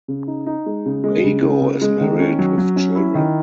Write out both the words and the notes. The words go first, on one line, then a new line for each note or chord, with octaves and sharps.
Bago is married with children.
C#3
D#4
D#4
G#3
C#3
G#3
C#3
C#3
C#3
G#3
D#3
C#4
F#3
F#3
C#4
E4
D#3